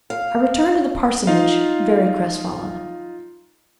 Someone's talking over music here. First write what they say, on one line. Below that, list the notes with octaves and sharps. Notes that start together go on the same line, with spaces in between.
I returned to the parsonage, very crestfallen.
F5
D#4 F4 F5